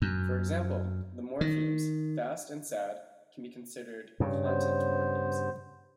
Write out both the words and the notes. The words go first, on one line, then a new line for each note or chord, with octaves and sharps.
For example, the morphemes "fast" and "sad" can be considered content morphemes.
F#2
D#3
G2 C#3
B3 C5